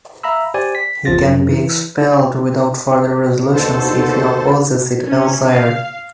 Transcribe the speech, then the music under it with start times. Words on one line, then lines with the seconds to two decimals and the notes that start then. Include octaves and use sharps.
He can be expelled without further resolutions if he opposes it elsewhere.
0.23 E5 F5 A#5 B5 E6
0.54 G4 C5 D5 G#5
0.75 B6
1.05 G1 E2 F3 F4 A6 A#6
1.25 F#2 C#4
1.49 E3
3.54 D#2 B2 D3 A4 C5 A5
5.05 C#4
5.48 F5